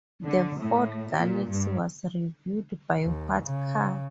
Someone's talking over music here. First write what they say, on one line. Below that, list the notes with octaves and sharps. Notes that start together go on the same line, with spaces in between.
The Ford Galaxy was reviewed by What Car?
D3
A2
A#2
G2
D#2
C#3